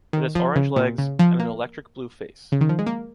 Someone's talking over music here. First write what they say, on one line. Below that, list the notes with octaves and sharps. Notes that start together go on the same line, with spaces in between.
It has orange legs, and an electric blue face.
D#3
F3
C#3
A#2
C#3
F3
A#3
C#3
D#3
F3
G#3
A#3